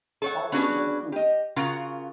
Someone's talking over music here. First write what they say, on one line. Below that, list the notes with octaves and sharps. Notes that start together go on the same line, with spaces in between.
How will that suit?
A4 C#5 F#5
B3 C#4 D4 F#4 G#4 B4
G4 D#5
C#3 F4 F#4 A#4 F#5